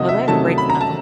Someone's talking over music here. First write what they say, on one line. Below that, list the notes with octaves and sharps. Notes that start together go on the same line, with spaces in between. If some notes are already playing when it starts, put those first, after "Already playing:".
Well that's great to know.
Already playing: C3 D#3 F#3 A3 D#5
E5
C3 D#3 F#3 A3 A5
B5
A#5
A5